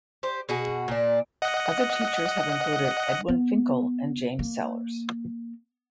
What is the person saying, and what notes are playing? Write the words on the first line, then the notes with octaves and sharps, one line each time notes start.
Other teachers have included Edwin Finckel and James Sellars.
G4 C5
B2 F#4 G#4
A#2 D4
D#5 F#5
B3
A#3